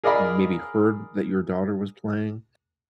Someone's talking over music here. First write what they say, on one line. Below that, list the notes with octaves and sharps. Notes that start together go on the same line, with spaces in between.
maybe heard that your daughter was playing.
G#4 A#4 D5 D#5 F5 B5